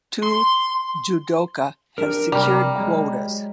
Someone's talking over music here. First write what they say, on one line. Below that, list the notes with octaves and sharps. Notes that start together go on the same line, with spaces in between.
Two judoka have secured quotas.
C6
D4 G4 A#4
C3 G3 A#5 F6
F#3 G#3